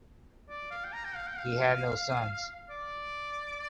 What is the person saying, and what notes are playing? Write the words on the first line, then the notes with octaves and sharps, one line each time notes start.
He had no sons.
D5
F5
G5
A#5
G5
F5
G5
F5
D5